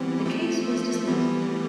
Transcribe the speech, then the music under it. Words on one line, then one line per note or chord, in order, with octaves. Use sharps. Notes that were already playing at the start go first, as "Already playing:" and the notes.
The case was dismissed.
Already playing: E3 G3 B3 C4
F3 A3
E3 G3 B3
A3